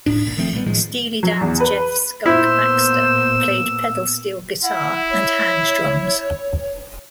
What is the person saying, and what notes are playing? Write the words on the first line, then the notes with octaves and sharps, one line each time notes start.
Steely Dan's Jeff "Skunk" Baxter played pedal steel guitar and hand drums.
D1 A2 D4
G#1 A#2
D#3 F3 A3 C4
A#2 G3 A#3 B3
A2 D#3 F3 G#3
F#3
E2
B4
A#2 A#3 B3 E4 C5 E6
E4 F#5
C#5